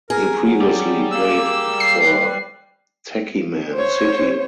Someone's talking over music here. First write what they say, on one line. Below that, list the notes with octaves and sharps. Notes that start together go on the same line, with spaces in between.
He previously played for Techiman City.
G#4 A#4
F#3
G4 D5
A#3 E6
C7
B4
C5 C#5